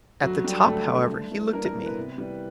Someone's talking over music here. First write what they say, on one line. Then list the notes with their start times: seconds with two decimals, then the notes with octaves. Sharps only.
At the top, however, he looked at me.
0.23 D2 F#3 F#4
0.44 D3 G3 G4
0.66 D2 A3 A4
0.88 D3 G3
1.10 G2
1.32 E3 A3
1.53 G2 A#3 A#4
1.64 A#3 A#4
1.76 E3 A3
1.86 B3 B4
1.97 C3
2.18 E3 G3